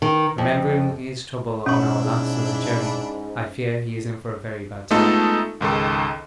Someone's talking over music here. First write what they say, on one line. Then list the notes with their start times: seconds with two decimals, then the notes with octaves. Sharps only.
Remembering his trouble on our last Southern journey, I fear he is in for a very bad time.
0.02 D#3
0.38 F2
1.66 G#2 B2 C#4 D4 E4 C#5 B5 C#6
4.90 G#3 A3 B3 D#4 F4 A4
5.61 C#2 G#2 D#3 A4